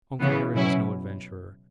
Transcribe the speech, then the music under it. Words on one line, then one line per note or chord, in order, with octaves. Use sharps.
Uncle Harry was no adventurer.
C#3 E3 B3
B2 F#3 C#4 E4